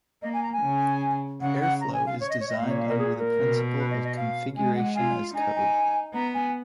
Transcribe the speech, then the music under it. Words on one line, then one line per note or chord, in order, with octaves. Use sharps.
Airflow is designed under the principle of "configuration as code".
A#3 D#5
G#5
A#5
G#5
C#3
C#3 F#5
F#5
A#5
G#5
F5
C#5
D#5
C#5
D#5
A#2 F5
C#5
F5
A#4
G#4
A#4
B2
B4
D#5
D#5
F5
G#3 G#5
F#5
F4 G#5
D#4 G#5
G#5
B3 A#5
G#5